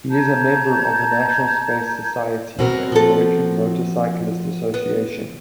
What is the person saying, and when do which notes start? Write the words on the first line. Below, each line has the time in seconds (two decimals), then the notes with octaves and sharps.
He is a member of the National Space Society and American Motorcyclist Association.
0.11 A5 A#5 G6 G#6
2.59 B2 C4 F#4 A#4
2.92 F3 A4
4.74 B3